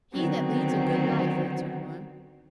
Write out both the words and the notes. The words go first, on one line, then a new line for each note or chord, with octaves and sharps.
"He that leads a good life," answered one.
D3 D#3 F#3 B3 C4